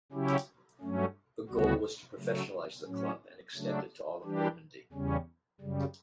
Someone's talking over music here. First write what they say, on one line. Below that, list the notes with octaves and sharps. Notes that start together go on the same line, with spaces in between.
The goal was to professionalize the club and extend it to all of Normandy.
C#3 F#3 C#4 E4 G4
G2 F#3 A3 C#4
D2 C#3 G3 B3 F#4
C#3 F#3 A3
A2 F#3 C#4
C#3 F#3 A3 D4
E3 G3 D4 G4
E2 C#3 G3 C#4
F#2 C#3 G3